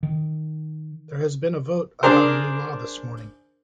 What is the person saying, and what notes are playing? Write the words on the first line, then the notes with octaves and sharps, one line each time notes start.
There has been a vote about a new law this morning.
D#3
D4 G#4 A#4 C5